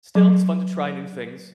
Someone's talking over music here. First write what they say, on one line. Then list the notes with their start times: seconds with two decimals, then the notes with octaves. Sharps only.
still, it's fun to try new things.
0.15 F#3